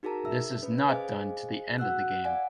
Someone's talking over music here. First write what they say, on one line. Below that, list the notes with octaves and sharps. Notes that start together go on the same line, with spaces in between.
This is not done to the end of the game.
D#4 F#4 G#4 A#4 A5 A#5
E5 E6
C#4 B4
G#4 C5 D#5 F5 G#5
F#4 F#5 E6 F#6
D5 F5 F#5 G#5